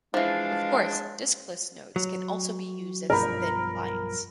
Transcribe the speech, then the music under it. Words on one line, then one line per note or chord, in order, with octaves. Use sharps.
Of course, diskless nodes can also be used as thin clients.
E3 F3 G#3 D4 F5
F#3
B1 G2 F3 A#4 B5